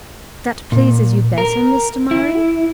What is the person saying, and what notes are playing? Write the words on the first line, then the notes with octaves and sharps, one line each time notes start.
"That pleases you better, Mr. Murray?"
A#2
A#4
E4